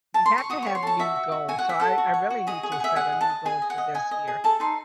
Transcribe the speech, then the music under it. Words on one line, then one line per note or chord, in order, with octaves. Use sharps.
you have to have new goals. So, I I really need to set a new goal for this year.
A5
C6
C#6
F#4 D#6
C#5 C#6
C6
A4 A5
F#4 E5
F#4
F#4
F#4 G#5
F#5
F#4 E5
A4 F#5
F#4
C#5
F#4
G#4 D#5
G#4
F#5
G#4 E5
G#4 F#5
D#5
A5
D#5
G#4 G#5
D#5
F#5
D#5
D#5 G#5
D#5
G#4
A4 A5
D#4 C6